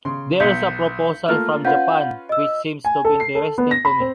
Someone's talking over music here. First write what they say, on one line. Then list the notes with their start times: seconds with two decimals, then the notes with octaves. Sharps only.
There is a proposal from Japan, which seems to be interesting to me.
0.05 C#3 C6
0.40 B1 G6 B6 C#7
1.29 A3 A#3 F4 F6
1.65 C#4 F4 B4 F5 F#5 G6
2.29 D#5 E6
2.85 G#5
3.05 A4
3.20 C7
3.35 A4
3.58 B3
3.71 A#6
3.85 B5
4.00 C4